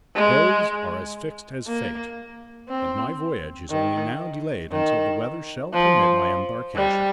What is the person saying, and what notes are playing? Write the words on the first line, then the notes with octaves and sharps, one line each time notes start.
Those are as fixed as fate, and my voyage is only now delayed until the weather shall permit my embarkation.
G#3
A#3
C4
D#3
D#3
F3
G3